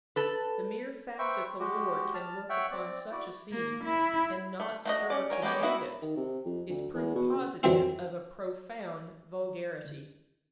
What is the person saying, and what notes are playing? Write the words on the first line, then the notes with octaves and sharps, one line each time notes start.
The mere fact that the lord can look upon such a scene and not stir to mend it, is proof positive of a profound vulgarity.
A4 B4
B4 C5 E5 G5 C#6
G#3 F#4 G4
A5 F6
C#5 E5 F#5 G5
C4 D5
E4 F#4 D5
A#3
E4
A3
A3 F#4 D#5
C#4 D5
A#4 C#5 G#5
G#3 A#3 B3 G4 C#5
A#3 B3 E4 F#4 E5
D#3
C3
F2
D2
E2
B2
C#3
F2 E3 F#3 G3 C4 E4